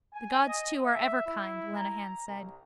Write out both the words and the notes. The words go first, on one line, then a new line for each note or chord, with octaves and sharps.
The gods too are ever kind, Lenehan said.
G#5
D#5
E5
E4
A#5
C2